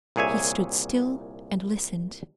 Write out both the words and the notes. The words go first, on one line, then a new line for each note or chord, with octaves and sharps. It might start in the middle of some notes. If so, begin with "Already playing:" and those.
He stood still and listened.
C2 A#2 G#4 C#5 E5 G#5